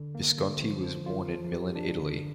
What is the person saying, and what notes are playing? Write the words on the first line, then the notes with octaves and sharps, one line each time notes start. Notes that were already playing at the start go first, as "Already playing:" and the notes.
Visconti was born in Milan, Italy.
Already playing: D3
A#3
D3
F3
F3
F4
F3
G4
D4
D3